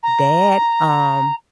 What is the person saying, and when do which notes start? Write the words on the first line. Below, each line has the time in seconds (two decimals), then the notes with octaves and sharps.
dad, um
0.03 A#5